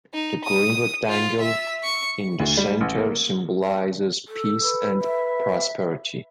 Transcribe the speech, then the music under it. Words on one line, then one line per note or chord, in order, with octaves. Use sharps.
The green rectangle in the center symbolizes peace and prosperity.
D#4
D#6
F4
E5
C#6
D2
G3
A1
A#3
A4
B4
E5